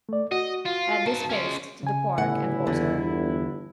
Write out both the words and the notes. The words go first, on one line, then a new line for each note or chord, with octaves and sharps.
Add this paste to the pork and water.
A3 D5
F#4 D#5
F4
D#3 A5
G#3 C#4
C#3 G#5
G1 A2 E4 F#5
E2 D3